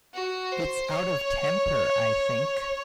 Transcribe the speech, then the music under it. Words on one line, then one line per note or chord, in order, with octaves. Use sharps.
It’s out of temper, I think.
F#4
C5
C#5